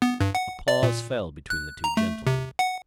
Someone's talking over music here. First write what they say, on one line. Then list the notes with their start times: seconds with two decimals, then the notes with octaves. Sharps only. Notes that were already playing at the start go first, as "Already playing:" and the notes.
A pause fell between the two gentlemen.
0.02 B3
0.20 G2
0.35 F#5
0.68 D5
0.83 A#2
1.50 F#6
1.84 A#5
1.97 A3
2.27 C3
2.59 F#5